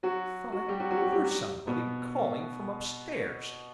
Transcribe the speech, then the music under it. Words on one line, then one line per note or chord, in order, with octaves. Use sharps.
I thought I heard somebody calling from upstairs.'
F#3 F#4
F#3 F#4
G3 G4
F#3 F#4
F#3 F#4
G4
F#3 F#4
G3 G4
F#3 F#4
B2 B3